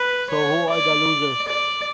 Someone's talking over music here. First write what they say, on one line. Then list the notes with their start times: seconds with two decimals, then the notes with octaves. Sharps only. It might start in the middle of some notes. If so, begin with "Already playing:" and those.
So who are the losers?
Already playing: B4
0.30 C#5
0.70 D5
1.48 D5